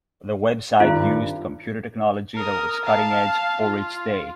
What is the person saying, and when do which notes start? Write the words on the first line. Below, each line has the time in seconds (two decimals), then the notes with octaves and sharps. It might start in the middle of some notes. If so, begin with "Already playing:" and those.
The website used computer technology that was cutting edge for its day.
0.80 G#1 G2 F4
2.35 A#4 D#6
2.85 F5 A5
3.61 F4